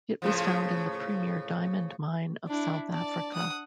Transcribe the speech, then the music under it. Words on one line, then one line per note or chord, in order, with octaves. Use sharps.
It was found in the Premier Diamond Mine of South Africa.
A2 C#3 F3
D4 E4
D5 A5
F#5 D#6